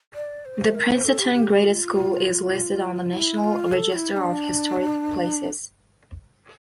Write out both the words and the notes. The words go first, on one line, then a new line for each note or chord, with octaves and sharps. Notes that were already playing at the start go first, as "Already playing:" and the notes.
The Princeton Graded School is listed on the National Register of Historic Places.
D5
C5
A#4
C5
A4
G4
G4
F4
E4
F4
A4
F4
E4
E4
D4